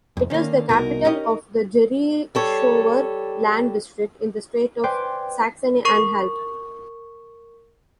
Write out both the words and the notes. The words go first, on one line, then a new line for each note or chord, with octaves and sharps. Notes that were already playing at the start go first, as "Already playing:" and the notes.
It is the capital of the Jerichower Land district in the state of Saxony-Anhalt.
C2 F2
D3 D#3 A#3 C#4
C2 G2 B2 D#4 A#4
C#4 G4 D#5
G3 A4 C#5
B4 C5 D5 G5 G#5 C6
A#4 C#6